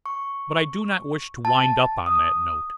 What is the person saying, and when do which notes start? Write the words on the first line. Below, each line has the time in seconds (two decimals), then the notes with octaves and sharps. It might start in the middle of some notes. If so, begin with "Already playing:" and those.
But I do not wish to wind up on that note.
0.06 C#6
1.45 A5
2.06 D#6